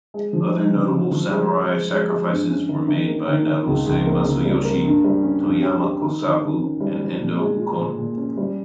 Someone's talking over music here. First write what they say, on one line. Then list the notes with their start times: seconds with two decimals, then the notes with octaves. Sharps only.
Other notable samurai sacrifices were made by Naruse Masayoshi, Toyama Kosaku, and Endo Ukon.
0.14 G#3
0.33 F3
0.53 D#4
0.73 C#3
0.92 C#3
1.11 F3
1.31 G#3
1.50 G#3
1.70 G#3
1.90 G#3
2.09 G#3
2.30 G2
2.50 C#4
2.69 D#3
2.88 D#3
3.08 A#3
3.28 D#3
3.46 D#3
3.67 C#2
3.86 C#2
4.06 A#3
4.25 C#3
4.45 G3
4.65 A#3
4.85 G2
5.04 G3
5.23 C#4
5.43 G2
5.63 G4
5.82 G4
6.01 D#3
6.22 D#3
6.41 D#3
6.61 C#4
6.80 G3
6.99 G3
7.20 A#2
7.39 G#3
7.59 F4
7.78 A#2
7.98 A#2
8.17 C#4
8.37 G3